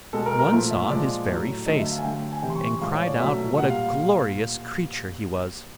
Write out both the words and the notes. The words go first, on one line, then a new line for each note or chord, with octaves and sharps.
One saw his very face, and cried out what a glorious creature he was!
B2 G#3 A4
A#4
A#4
A#2 F3 A3 A#4
E5
A#2 F3 G#3 D5
A2 F#3 A3
D3 F#3 A3 D#5
E5
F5
G#5
D3 F#3 A3 G5
G#5
C3 E3 G3 G5
C6
C#6
A2 F3 G#3 F5
C#5
D5
B2 F#3 A3 E5
A#2 G3 F#5
F5